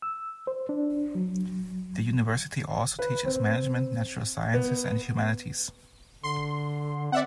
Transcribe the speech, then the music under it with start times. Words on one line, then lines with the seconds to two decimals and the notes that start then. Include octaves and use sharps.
The university also teaches management, natural sciences, and humanities.
0.02 E6
0.47 C5
0.69 D4
1.15 F#3
2.99 B4
3.25 C4
4.54 B3
6.24 D3 C6
7.12 C4 D5 E5 F#5